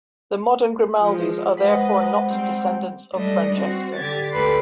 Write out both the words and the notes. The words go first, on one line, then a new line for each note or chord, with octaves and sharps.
The modern Grimaldis are therefore not descendants of Francesco.
F3 G#3
G#3 B4 C5 D#5 F#5
G3 C4
G3 A3 D4 D#5
C4 F#4
D3 G4 G#6 A6
D2 G4 A4 B4 B5 C6